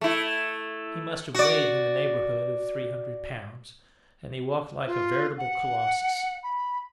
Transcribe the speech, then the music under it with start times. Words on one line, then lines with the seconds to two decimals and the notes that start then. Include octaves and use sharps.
He must have weighed in the neighborhood of three hundred pounds, and he walked like a veritable colossus.
0.01 A3 E4
1.35 F#4 D5
4.87 F4
5.38 F#5
6.43 B5